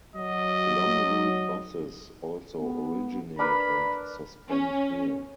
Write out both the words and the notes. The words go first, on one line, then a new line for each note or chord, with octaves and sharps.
Long route buses also originate and suspend here.
F#3 D#5
B3
D4 A#4 B4 D5 B5
C#4